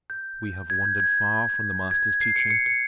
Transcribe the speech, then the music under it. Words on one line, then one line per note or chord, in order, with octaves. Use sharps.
We have wandered far from the Master's teaching.
G6
G#6
G6
G#6
G#6
C7
C#7
C#7
C#7